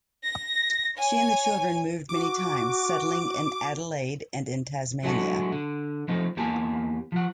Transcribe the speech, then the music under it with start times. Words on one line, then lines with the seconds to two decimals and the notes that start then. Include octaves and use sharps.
She and the children moved many times, settling in Adelaide and in Tasmania.
0.23 A#6
0.96 C#5 G#5
2.09 F#4 D6
5.03 F#3 G#3 A3 D4 F#4
5.52 D3
6.08 F3 A3 C4 D#4
6.37 E2 A#3 G4 G#5 A5
7.12 F3 F#5